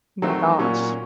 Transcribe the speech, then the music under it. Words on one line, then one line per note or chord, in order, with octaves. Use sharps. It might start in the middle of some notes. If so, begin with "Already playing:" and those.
my gosh,
D#3 F#3 A3 C4
A#2 F#3 A#3 C#4